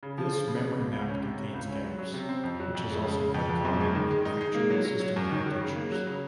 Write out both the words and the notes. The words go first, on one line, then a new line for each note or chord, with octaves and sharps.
This memory map contains gaps, which is also quite common in actual system architectures.
C#3
F3
F3
C#3
C#3
C#2
C#2
C#4
C3
C3
C#2
C#4
F#3
F#3
C3
C4
F2
F#3
F2
G#3
C#3
C#3
F2
F2
F#2
G#3
D#3
G#3
D#4
G#3
A#3
F#3
F#3
F#3
F#2
D#3
F#3
C#3
A#3
F#3
C#3